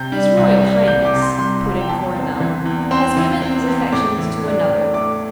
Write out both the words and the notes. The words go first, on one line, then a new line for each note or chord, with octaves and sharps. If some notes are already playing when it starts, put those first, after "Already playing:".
"His Royal Highness," put in Coronel, "has given his affections to another."
Already playing: C3 G6
G3
C2
G3
C2 G6
D6
C3
C6
C2 C6
C2
G5
E2 A5
C4
E3
E2
C4 C6
E3
C4
E2
A2 D6
E3
D4
A2
A3 D6